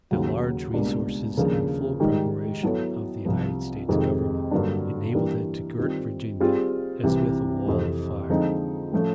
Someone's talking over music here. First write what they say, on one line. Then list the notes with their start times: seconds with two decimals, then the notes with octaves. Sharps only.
The large resources and full preparation of the United States Government enabled it to girt Virginia as with a wall of fire.
0.11 D#2 C#3 F#3
0.74 C#2 B2 G3 A#3 D4
1.37 D#2 C#3 F3 A#3 D4
2.00 G#2 D#3 G3
2.63 F#3 B3 E4 A4 C#5
3.25 C2 C3 F3
3.89 F2 C3 D#3 G#3
4.51 G2 D3 F#3 A#3 D4
5.15 E3 G3 A#3 D4
5.78 D#3 G3 C4 F4
6.40 G3 C4 F4 G#4
7.03 C2 C3 E3
7.67 F2 C3 E3
8.29 D3 F3 G#3 C4 D#4
8.92 A2 F3 A3 C#4